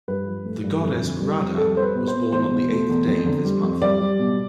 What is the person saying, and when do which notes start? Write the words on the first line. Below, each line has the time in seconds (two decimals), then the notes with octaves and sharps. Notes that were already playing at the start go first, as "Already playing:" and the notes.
The Goddess Radha was born on the eighth day of this month.
0.08 G2 B4
0.26 F3
0.45 A3
0.64 G2
0.83 F2
1.02 D3
1.20 G3
1.39 F2
1.58 G3 A4
1.77 G3 C5
1.82 B4
1.95 B2
2.08 C5
2.14 B2
2.33 E2 C5
2.51 B2
2.69 A3
2.89 E2
3.07 F2
3.26 D3
3.44 G3
3.63 F2
3.82 G3 D5
4.01 G3
4.19 B2